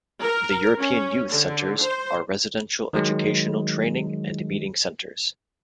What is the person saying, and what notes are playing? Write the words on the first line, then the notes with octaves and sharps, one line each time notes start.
The European Youth Centres are residential educational, training and meeting centres.
A#4
C#4
D3
C5
D#3 F#3 G#3